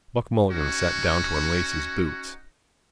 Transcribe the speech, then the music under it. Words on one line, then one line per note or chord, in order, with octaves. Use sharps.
Buck Mulligan sat down to unlace his boots.
C#4 D#4 F#4